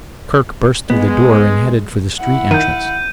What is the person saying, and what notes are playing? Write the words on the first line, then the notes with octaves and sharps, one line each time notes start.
Kerk burst through the door and headed for the street entrance.
G#3 B3
E4 F#5
D#3 G6 D#7